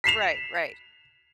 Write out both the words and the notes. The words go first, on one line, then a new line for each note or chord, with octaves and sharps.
Right, right.
B6 C7 E7 F7